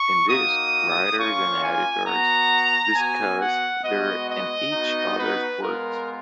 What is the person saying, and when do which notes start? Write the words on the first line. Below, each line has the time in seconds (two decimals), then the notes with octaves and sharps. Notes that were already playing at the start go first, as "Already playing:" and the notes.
In this, writers and editors discussed their and each other's works.
Already playing: C#6
0.27 A#3 D#4 F#4 D#6
1.17 A#3 C#4 F4 C#6
1.62 G#5
2.06 B3 F#4 A#5
2.94 B3 F#4 G#5
3.39 F#5
3.83 G#3 B3 F#4 D#5
4.28 D#5
4.73 B3 D#4 F#4
5.17 B4
5.61 G#3 B3 F4 A#4